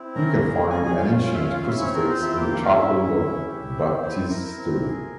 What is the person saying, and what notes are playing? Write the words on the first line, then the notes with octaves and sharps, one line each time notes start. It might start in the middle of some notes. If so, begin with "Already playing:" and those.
You can find an ancient crucifix in the chapel of baptistery.
Already playing: C4 E4
C#4 A#4 A#5
G#4
C#4 G#4 G#5
G#4 G#5
C#4 F4 F5
C#4 F4 F5
E5
F4 F5
C#4 F4 F5
E4 E5
C4 C#4 C#5
A#4
F4 C5
E4 E5
A#3 G4 G5
F4 F5
C#4
E4 E5
C#4
C#4
G4
C4
E4 C5
C5
E4 A#4
A#4
C4
G#4